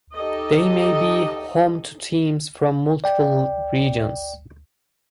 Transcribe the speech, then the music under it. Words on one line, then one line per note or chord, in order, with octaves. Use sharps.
They may be home to teams from multiple regions.
D#4 G4 A4 D#5
D5 G5